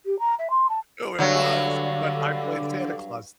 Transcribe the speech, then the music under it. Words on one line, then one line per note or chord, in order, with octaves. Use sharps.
Oh, it was, but I played Santa Claus
G4
A#5
E5
C6
A5
G2 D3 F#3